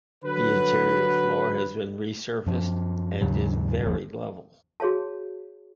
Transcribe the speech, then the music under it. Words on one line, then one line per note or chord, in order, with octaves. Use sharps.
The interior floor has been resurfaced and is very level.
D3 F#3 F#4 B4
F#2 F3
D#2 G#2 C#3 F#3
G1 D#2 F3
F#4 G#4 C#5 F5 A5